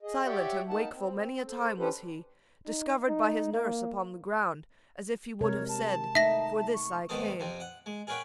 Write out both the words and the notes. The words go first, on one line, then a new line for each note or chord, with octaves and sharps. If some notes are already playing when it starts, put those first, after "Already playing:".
Silent and wakeful many a time was he Discovered by his nurse upon the ground, As if he would have said, 'For this I came.'
G#4 D#5
G4 C#5 D5 E5 F#5 G5
A#3 D#4 F#5 A5
C4
A4 C5
C#4 D4 G4 A4 B4 C5
D#4
D#4
A#3
C3 G#3 A#4 C#5
A5
A3 D#4 E5 A#6
C#6
G#2 D#3 B3 A4 C5 D#6
F2 C3 F3
F#5
G#3
G#4 A#4 B4 C#5 F#5 G5